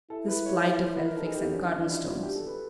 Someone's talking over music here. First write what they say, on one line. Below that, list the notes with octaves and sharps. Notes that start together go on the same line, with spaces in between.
"This flight of Elphick's and Cardlestone's."
E4 A4
B4
C#5
E4 C5
B4
A#4
D#4 A4
G#4
G4
F#4
C#4 D4
D#4
F4
E4
F#4
G4
A4
B4